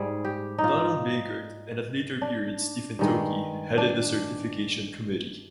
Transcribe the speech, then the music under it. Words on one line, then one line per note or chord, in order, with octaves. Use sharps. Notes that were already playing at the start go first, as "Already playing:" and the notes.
Donald Bagert, and at later period Stephen Tockey headed the certification committee.
Already playing: G#2 G3 G#4
G4
D#4
F4
D4
G2 D#3 G#3
D4